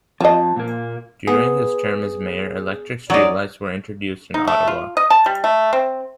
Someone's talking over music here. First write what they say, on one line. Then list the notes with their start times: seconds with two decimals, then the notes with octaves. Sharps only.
During his term as mayor, electric street lights were introduced in Ottawa.
0.21 F2 F3 D#5 A5
0.56 A#2 A#3
1.27 B3 G#4
3.10 F#3 C#4 D#4 D5
4.34 D#4
4.47 A3
4.68 F4
4.97 D#5
5.10 A5
5.26 G3
5.44 A3
5.73 C4